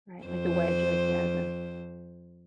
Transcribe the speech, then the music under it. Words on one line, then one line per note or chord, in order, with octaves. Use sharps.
Right, like the wedge, like, yeah, the
F2 C5